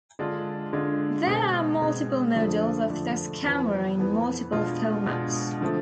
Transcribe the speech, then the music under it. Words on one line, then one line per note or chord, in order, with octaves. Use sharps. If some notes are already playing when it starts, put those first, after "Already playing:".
There are multiple models of this camera in multiple formats.
D3 G#3 D4 F4
D3 G#3 D4 F4
B2 G#3 C4
B2 G#3 C4
F2 D3 F3 A3 D4
F2 D3 F3 A3 D4
F2 E3 B3
F2 E3 B3
B2 G#3 D4 F4
B2 G#3 D4 F4
D3 F3 A3